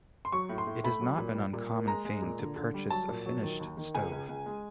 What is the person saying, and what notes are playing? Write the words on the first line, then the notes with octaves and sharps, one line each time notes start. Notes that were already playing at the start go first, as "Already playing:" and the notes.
It is not an uncommon thing to purchase a finished stove.
C6
F#3 C#6
A2
C6
A2
A3 B5
F#3
A#2
G3
A#2
A#3
G#3 A#5
G#3
A#2
D3
D3
G3
F#3 A5
A#2
F#3
D#3
D#2
D#3
C#2 G#5
C#2
C#2
G#3